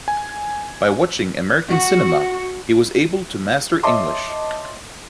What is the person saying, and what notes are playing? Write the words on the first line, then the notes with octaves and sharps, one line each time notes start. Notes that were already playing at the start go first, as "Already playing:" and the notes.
By watching American cinema, he was able to master English.
G#5
F#4
C#5 D#5 E5 A5 C6 D6